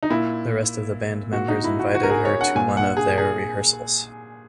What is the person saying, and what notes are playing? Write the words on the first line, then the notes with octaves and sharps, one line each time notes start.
The rest of the band members invited her to one of their rehearsals.
D#4
A#2 E4
A#2 F#4
D#4
E4
F#4
F#4
A#4
G#4
C#5
F#5
A#2 G#5
F#5
G#4
G#4